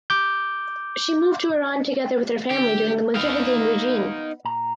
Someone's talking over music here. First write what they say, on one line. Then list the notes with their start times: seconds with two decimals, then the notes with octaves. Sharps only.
She moved to Iran together with her family during the Mujahideen regime.
0.10 D6 G6
2.50 D3 G4
3.16 B3 D#4 F5
4.45 A#2 A#5